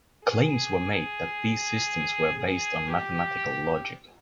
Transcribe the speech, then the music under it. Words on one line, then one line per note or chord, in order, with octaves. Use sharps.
Claims were made that these systems were based on mathematical logic.
G#4
G#4
G4